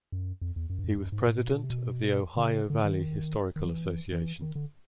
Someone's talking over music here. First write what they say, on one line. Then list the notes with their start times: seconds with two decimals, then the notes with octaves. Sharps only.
He was president of the Ohio Valley Historical Association.
0.12 F#2
0.41 F2
0.56 E2
0.70 F#2
0.79 G2
0.84 F#2
0.98 F#2
1.12 G#2
1.27 A2
1.44 B2
1.56 A#2
1.64 C3
1.70 B2
2.37 D3
2.41 C#3
2.70 D3
2.84 D#3
3.56 D#3
3.66 F3
3.70 E3
4.12 E3
4.42 D#3
4.55 D3